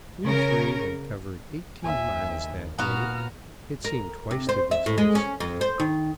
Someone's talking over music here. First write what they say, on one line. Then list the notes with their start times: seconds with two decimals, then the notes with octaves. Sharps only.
We three had covered eighteen miles that day; it seemed twice the distance.
0.25 C#3 A#4
1.82 D#2 E5 G#5
2.78 A#2 B3 F#4 A#5 F6
3.84 A#4
4.31 C3
4.49 C5
4.71 E5
4.86 A2
4.98 G#3
5.15 C#4
5.40 F2
5.61 C5
5.80 D#3